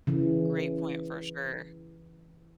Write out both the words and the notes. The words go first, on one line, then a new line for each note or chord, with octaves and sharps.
great point for sure.
C#3 E3